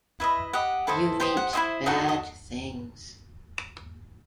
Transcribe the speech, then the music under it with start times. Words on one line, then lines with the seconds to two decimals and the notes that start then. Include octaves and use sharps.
You meet bad things.
0.20 E4 B4 D#5 E5
0.53 G4 D#5 F#5
0.87 E4 A4 C5 D#5
1.20 G4 C5 D#5 G5
1.37 F#5
1.53 E4 G4 C5 D#5 E5
1.86 D#4 F#4 A4 D#5
2.09 D#5